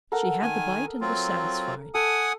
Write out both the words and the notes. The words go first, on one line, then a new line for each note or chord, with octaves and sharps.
She had the bite and was satisfied.
A4 A#4 F#5
D#3 G#5 D#6
F#3 C4 F4
A4 F#5 G#5 D#6